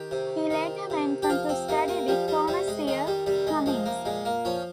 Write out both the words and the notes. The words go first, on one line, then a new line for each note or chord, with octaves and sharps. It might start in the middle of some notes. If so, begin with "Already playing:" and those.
He later went on to study with Thomas Seir Cummings.
Already playing: D#3 G4
C3
D#3
C3
G4
F3 F4
C4
C3 A#3
A#3
F3 G3
G3
C3 G3
G#3
D#3 G#3
G3
C3 G3
G#3
F3 G#3
A#3
A#2 G#3
A#3
F3 C#4